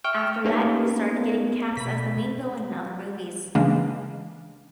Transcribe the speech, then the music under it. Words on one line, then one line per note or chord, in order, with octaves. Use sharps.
After that, he started getting cast as the main villain in other movies.
E5 G5 C#6 F6
A3 A#3 C#4 D#4 G4 B4
B3 A#4
B2 B5 B6
C#3 E3 G#3 A#3 C#4 D4